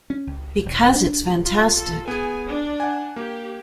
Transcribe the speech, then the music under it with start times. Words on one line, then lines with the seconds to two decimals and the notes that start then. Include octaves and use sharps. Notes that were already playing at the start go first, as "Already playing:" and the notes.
Because it's fantastic.
0.10 C#4
0.27 C#2
0.66 E1
0.96 D4
1.46 F4
1.77 A4
2.08 B3 G#4 G#5
2.48 D4
2.80 F#5 G#5
3.16 A#3 G4